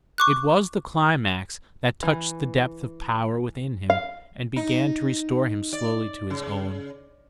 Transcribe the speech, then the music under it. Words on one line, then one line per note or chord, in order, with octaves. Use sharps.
It was the climax that touched the depth of power within him and began to restore him slowly to his own.
C#6 D6 F#6
E3
F5
D#4
D5
C#3